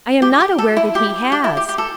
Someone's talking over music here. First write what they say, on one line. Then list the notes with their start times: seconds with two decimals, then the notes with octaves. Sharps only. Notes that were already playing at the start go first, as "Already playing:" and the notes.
"I am not aware that he has."
0.22 G4
0.40 G4
0.58 A4
0.77 E4
0.95 G4
1.32 G4
1.44 E4
1.57 G4
1.69 G4
1.78 A4